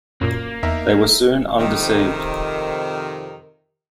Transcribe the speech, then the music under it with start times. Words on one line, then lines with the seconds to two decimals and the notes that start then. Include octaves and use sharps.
They were soon undeceived.
0.21 F#2 A#2 A#3
0.63 E2 D#4 A#4 E5
1.58 F2 C3 D#3